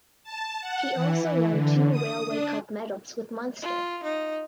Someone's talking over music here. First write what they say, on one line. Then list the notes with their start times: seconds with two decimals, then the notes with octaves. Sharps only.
He also won two Railway Cup medals with Munster.
0.24 A5
0.61 F#5
0.95 E3
1.51 D3
1.91 D#6
2.28 D4
3.62 F4
4.03 D#4